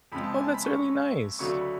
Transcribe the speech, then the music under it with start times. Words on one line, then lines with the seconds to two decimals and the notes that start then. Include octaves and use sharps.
Oh, that's really nice.
0.12 F2 C#3 F3 G#3 B5
0.23 A5
0.34 G#5
0.44 A5
0.54 B5
0.65 C#6
0.76 C#6
1.39 D2 C#3 F#3 A3 D4 C#6
1.50 C#6
1.61 B5